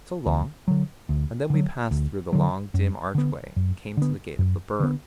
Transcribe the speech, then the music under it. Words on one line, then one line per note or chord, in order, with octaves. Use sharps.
So long!' And then we passed through the long, dim archway and came to the gate of the Burg.
D2
D3 F#3
D2
D3 F#3
D2
D3 F#3
F#2
D3 B3
F#2
D3 B3
F#2
D3 B3